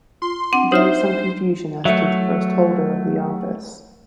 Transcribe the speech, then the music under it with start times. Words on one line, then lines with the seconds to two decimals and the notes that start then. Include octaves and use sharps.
There is some confusion as to the first holder of the office.
0.22 F4 C6
0.53 C4 D4 F#5 D6
0.72 D4 D#4 F4 C5 E5
1.85 F#3 A3 E5